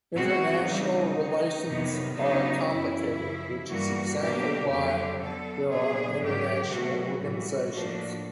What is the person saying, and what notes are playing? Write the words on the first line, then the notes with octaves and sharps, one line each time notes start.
International relations are complicated, which is exactly why there are international organizations.
B2 G#3 C4 F#4
C#3 E3 G3 C4 D#4
C#3 F#3 A3
F2 C3 D#3 F#3 B3
C#3 F#3 B3 D4 D#4
F#2 C#3 E3 E4
F#2 C#3 F3
G2 E3 G3 A#3 F#4
B2 F#3 A#3 D4 G4
F2 D3 F#3 G4
D3 F#3 B3 A4
A#2 F#3 B3 D4 G#4
G#2 D#3 F#3 G4
B2 F#3 A3 F#4
A2 E3 G3 F#4
A2 F3 A#3 D4